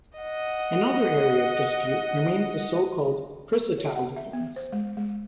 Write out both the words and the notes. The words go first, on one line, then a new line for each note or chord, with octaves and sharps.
Another area of dispute remains the so-called chrysotile-defense.
D#5 F#5
C#5
F#5
E5
B3
C5
G#3
G#3